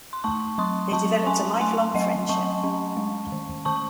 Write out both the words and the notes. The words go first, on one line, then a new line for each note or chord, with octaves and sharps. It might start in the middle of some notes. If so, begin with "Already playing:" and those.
They developed a lifelong friendship.
C6
A3 A5 C#6
F#3 C6 D#6
F#3 A5 C#6
C#4 G#5 C6
A3 G#5 C6
F#3 D#5 F#5
F#3 A5 C#6
C#4
G#3
D#3
D#3 A5 C#6